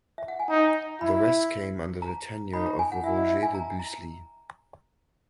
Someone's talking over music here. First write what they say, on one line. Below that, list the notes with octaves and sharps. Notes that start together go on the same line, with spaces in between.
The rest came under the tenure of Roger de Busli.
E5
F#5
G#5
D#4 A#5
E4 B5
A#5
D#4 B5
A#5
G#5
F#5
E4 E5
D#5
E5
G#5
A#5
A#5